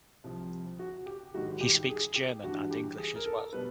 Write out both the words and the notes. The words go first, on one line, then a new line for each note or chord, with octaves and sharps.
He speaks German and English as well.
C2 C3 F3
F#4
G4
G#2 D#3 G3 F#4
G4
G#4
G4
G2 E3 G3 F#4
G4
G#4
A#4
A4
B2 G3 B4